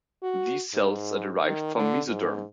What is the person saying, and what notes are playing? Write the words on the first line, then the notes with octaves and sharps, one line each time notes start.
These cells are derived from mesoderm.
F#4
G#2
D#3
D3
G#2